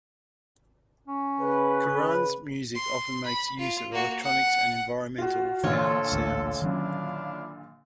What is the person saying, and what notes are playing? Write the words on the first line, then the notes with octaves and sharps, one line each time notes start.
Curran's music often makes use of electronics and environmental found sounds.
C#4
C#3 B4
C6
B5
F4
A#3 F#4
F#5
F4 F#4
A#1 A#2 D3 E3 F4 A4 C#5
A1 D2
D#3 F#3 C#4 D4 E4 F5